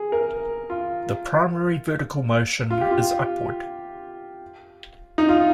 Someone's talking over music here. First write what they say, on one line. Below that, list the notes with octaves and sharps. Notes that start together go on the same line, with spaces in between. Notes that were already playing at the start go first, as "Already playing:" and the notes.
The primary vertical motion is upward.
Already playing: G#4
A#4
F4
F4
G4
F4
D#4
F4